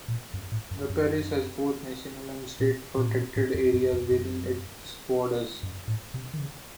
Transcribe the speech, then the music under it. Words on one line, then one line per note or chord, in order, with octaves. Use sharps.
The parish has both national and state protected areas within its borders.
A#2
F#2
A2
F#2
F#2
A#2
A#2
A2
A#2
A2
F2
F#2
F2
F#2
F#2
A2
C3
D#3
C#3